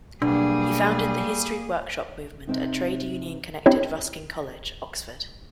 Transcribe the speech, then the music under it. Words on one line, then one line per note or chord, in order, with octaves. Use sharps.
He founded the History Workshop movement at trade union connected Ruskin College, Oxford.
B1 G3 A#3 D4 G#4
C3 C4 D#4
C4 D4 E4 G4 C#5